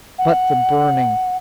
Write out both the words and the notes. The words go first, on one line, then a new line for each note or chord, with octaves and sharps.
But the burning!
F#5